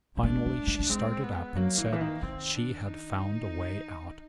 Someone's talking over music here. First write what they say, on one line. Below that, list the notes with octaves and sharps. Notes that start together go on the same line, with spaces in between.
Finally she started up, and said she had found a way out.
A#3
A3 D4
A3
A3
A3
G#3 C4
B3
F#3 A#3
E3
D#3
E3
D#3
D#3 C4
D4
D#4